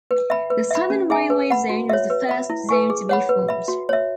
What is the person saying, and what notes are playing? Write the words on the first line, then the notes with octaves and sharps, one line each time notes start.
The Southern Railway zone was the first zone to be formed.
B4
E5 B5
B4
E5 B5
C#4
G#4 E5 G#5
B4
F#5 B5
F#4
C#5 E5
B4
E5 B5
E4
B4 G#5 C#6
G#4
C#5 F#5 B5
B4
E5 B5
F#4
C#5 E5